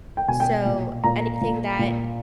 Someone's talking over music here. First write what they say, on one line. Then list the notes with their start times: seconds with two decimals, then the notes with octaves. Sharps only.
so anything that
0.17 G5
0.28 B2 G#5
0.40 G5
0.65 A#2
1.04 A#2 A#5
1.41 A#2
1.79 A#2